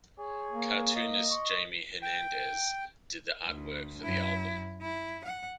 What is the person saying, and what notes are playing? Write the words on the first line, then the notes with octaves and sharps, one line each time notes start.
Cartoonist Jaime Hernandez did the artwork for the album.
G#4 C#5
A#3
D#5
C#6
G5
D2
F#2 E4
E4
F#5